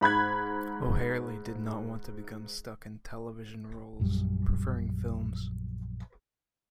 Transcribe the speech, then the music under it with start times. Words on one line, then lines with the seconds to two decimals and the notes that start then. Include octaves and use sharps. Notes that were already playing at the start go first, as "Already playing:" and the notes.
O'Herlihy did not want to become stuck in television roles, preferring films.
0.01 G#2 B5 F#6 G#6
4.00 A#1 F#2 G3